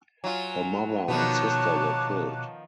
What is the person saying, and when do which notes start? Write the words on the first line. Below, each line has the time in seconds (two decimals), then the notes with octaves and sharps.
Her mother and sister were killed.
0.24 F#3 F4 G#5
1.08 B2 D#3 F3 B3 C#5 A5 D6 F#6